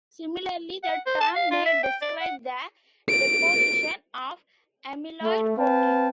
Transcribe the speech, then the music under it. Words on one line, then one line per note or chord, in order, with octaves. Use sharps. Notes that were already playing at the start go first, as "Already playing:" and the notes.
Similarly, the term may describe the deposition of amyloid protein.
F#5
C5
A5
F5
F4
E5
G5
D5
F#5
D7
A3
C4 B4 F5 G5 A5